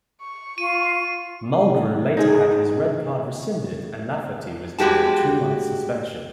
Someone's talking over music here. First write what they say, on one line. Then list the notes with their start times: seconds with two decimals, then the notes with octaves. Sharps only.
Mulgrew later had his red card rescinded and Lafferty was given a two-month suspension.
0.21 C#6
0.58 F4 D#7
2.17 D#4 G#4
4.79 G3 G#3 F#4 G4 A5